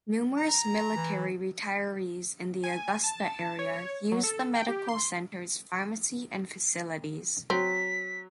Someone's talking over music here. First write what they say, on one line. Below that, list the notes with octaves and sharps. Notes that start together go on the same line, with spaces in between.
Numerous military retirees in the Augusta area use the medical center's pharmacy and facilities.
A#5
E3
G#5
A5
C#5
F#3
A4
G5
G4
C6
F#3 C4 B6